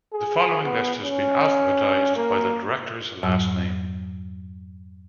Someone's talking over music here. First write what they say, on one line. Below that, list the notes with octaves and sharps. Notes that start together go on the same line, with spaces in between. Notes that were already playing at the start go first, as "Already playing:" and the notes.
The following list has been alphabetized by the director's last name.
G#4
B3
C#4
A#3
F2 G#2 F#3 E6